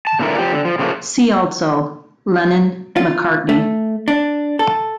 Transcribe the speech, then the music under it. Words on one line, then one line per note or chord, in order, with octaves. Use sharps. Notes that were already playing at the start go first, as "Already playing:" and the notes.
See also: Lennon-McCartney.
A5
A#2 D3 E3 E4 A#4
F3 G4
D3
F3
C#3 F3 F#3 A3 A#3
F4
A3
D4
A4